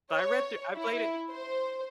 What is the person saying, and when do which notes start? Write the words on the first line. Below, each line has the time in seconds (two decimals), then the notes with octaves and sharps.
But I read thro I played it
0.12 C#5
0.74 E4
1.31 C5